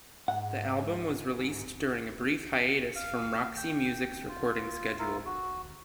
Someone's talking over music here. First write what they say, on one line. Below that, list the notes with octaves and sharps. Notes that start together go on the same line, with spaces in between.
The album was released during a brief hiatus from Roxy Music's recording schedule.
G#2 F#5
F5
G5
F4
E4 F4 A#4
F#4